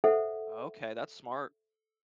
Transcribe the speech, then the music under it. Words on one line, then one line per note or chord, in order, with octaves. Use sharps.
Okay, that's smart.
A4 C5 E5 F#5